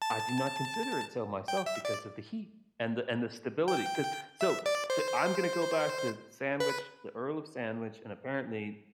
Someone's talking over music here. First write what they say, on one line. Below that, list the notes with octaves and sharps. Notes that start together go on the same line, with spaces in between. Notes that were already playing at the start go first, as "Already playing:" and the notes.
I do not consider it so, myself because of the heat and the and the stability, 'cause so so I'm gonna go back to sandwich The Earl of Sandwich, and apparently
A5
G5
E5
D5
G5
E5
D5
C5
B4